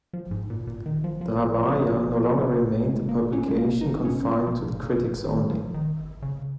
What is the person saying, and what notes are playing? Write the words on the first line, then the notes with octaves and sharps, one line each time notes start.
The Ravaya no longer remained a publication confined to the critics only.
F3
G#2
A#2
A#2
D#3
F3
F3
G#3
A#3
C#4
G#3
A#3
D#4
C#4
A#3
F3
A#2
A#2
D#3
F3
D#3
C#3